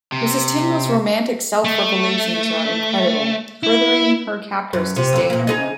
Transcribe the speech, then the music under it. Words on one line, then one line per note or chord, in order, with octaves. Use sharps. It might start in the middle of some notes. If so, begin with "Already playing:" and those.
Mrs. Tingle's romantic self-revelations are incredible, furthering her captors' disdain of her.
C3
A3
E4
F#2
C3
F2 D3
A#2 A#3
D#4 G#4 D#5